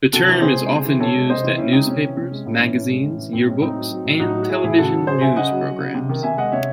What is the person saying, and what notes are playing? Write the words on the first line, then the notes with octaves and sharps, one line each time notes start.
The term is often used at newspapers, magazines, yearbooks, and television news programs.
C3 F#4 A4
E3
C3 G#4 C5
G#3
C3
E3
C3 A4 C#5
G#3
C3 C5 D#5
E3
C3 C#4 E4
G#3 C4 D#4
C3 C#4
E3
C3
G#3
A2 C#4
E3 C#4
A2 C#4
G#3
A2
E3
A2 C4
G#3 C#4
A2 C4 D#4
F#3
F#3
A2
A2 D#4 F#4
F#3
F#4
F#3 E4 G#4
A2 E4 G#4
C#3 F#4 A4
F#3
F#3 G#4 C5
C#3 E5 G#5
C#3 D#5 F#5
F#3
F#3
C#3
C3
D#3
C3 E5 G#5
G#3 D#5 F#5
C3 C#5 E5